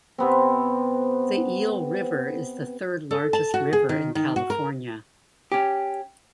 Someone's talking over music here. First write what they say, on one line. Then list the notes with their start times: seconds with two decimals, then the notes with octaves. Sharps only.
The Eel River is the third largest river in California.
0.18 C3 B3 C4
3.11 A4
3.33 A5
3.54 F#4
3.73 G#4
3.89 D#3
4.15 D#3
4.36 F#4
4.50 A#4
5.52 C#4 G4